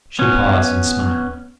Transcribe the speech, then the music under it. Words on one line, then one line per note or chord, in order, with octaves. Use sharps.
She paused and smiled.
B3 C#4